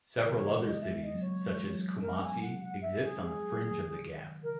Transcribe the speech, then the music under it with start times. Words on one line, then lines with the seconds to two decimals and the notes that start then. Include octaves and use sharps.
Several other cities, such as Kumasi, exist on the fringe of the Gap.
0.20 C#3 E3 A#4
0.36 C#5
0.50 G#3 B3
0.66 D#5
0.81 G#3 B3 E5
1.02 D#5
1.10 F#3 A#3
1.21 C#5
1.42 E3 G#3
1.61 G#3
1.72 F#3 A#3
1.96 C#4
2.01 G#3 B3 A#4
2.22 G#5
2.31 F#3 A#3
2.42 F#5
2.62 F#5
2.82 E5
3.02 G#4
3.22 G#3 B3 G#4
3.42 F#3 A#3
3.63 D#3
3.82 C#3
4.12 D#3
4.42 C#3 E3 A#4